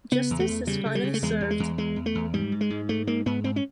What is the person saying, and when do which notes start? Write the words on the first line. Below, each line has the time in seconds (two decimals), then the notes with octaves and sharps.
Justice is finally served.
0.12 C#3 B3
0.30 E2
0.40 A3
0.49 E2
0.67 C#3 G3
0.85 C#3
0.95 G3
1.04 C#3
1.14 A3
1.22 E2 G#3
1.41 E2
1.51 G#3
1.60 E2
1.78 E2 G#3
1.96 E2
2.06 A3
2.15 E2
2.34 G#2 G3
2.52 G#2
2.61 G#3
2.70 G#2
2.89 G#2 A3
3.07 G#2 A#3
3.26 G#2 B3
3.44 G#2 C4
3.56 C#4